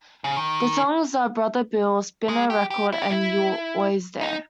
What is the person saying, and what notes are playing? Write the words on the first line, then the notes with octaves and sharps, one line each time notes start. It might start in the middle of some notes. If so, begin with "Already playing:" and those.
The songs are "Brother Bill", "Spin a Record" and "You're Always There".
C#3
D#3
G#3
G4
G4
E4
G4
E4
D#4